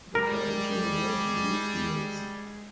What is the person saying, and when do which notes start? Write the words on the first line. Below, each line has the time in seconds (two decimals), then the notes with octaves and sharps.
The capital was Bluefields.
0.15 G3 G#3 G#4 A#4